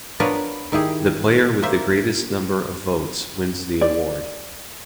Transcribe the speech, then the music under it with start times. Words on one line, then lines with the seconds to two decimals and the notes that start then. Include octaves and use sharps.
The player with the greatest number of votes wins the award.
0.20 B3 D4 F4 A#4 B4 C#5
0.72 D#3 E4 G4 G#4
1.62 A#3 C5 E5
3.81 D5